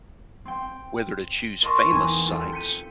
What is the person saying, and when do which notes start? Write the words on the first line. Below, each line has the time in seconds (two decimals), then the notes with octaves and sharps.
whether to choose famous sites
0.45 C4 G5
1.62 A#4 D#5 A5 C6 C#6
1.90 E2 C4 D#4 G#5
2.25 C4 F4 A4
2.52 G6 B6 C#7 D#7